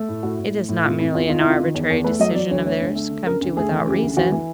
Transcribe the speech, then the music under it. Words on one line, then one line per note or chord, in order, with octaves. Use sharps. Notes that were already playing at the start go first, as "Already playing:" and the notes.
It is not merely an arbitrary decision of theirs, come to without reason.'
Already playing: A3
A2
A2 F#4
A2
A3
A2
C3 F4
C3 E4
E2 F4
D#3 F4
C3 E4
F4
D#3
E2
E2
A3 B4
F#3 D#5
F#3 D5
D2 C#5
A3 C#5
D2
A3
D3
C#3 A#4
D2
A3 G#4
E3
C#3 G4
D2
E3 F#4
E3